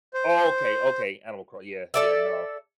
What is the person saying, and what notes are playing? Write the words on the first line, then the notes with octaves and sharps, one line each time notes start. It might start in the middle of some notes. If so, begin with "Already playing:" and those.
Oh, okay, okay. Animal Cro yeah, yeah, no.
C5
A4 D5 E5